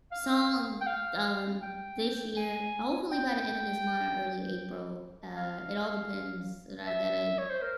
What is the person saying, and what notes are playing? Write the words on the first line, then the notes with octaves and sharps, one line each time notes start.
song, um, this year, hopefully, by the end of this month or early April, uh, it all depends that I gotta
F5
G5
F5
G5
G#5
G5
F5
E5
C#5
C5
A#4